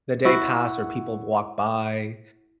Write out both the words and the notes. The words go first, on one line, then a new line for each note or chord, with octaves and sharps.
the day pass or people walk by,
E4 F#4